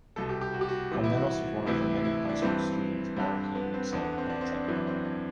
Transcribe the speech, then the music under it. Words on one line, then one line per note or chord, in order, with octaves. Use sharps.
Komnenos was one of the many high school students barricaded inside the Polytechnic.
C2 B2 A4
G4
G4
F#4
G4
F#4
C2 C3 E3
E4
F#4
D2 C3 E3 E4
E4
D4
G2 E3 C4
G2 D3
B3
C4
E2 D3 B3
B3
C4
D4
C4
D4
F#2 E3 C4
D4
C4
D4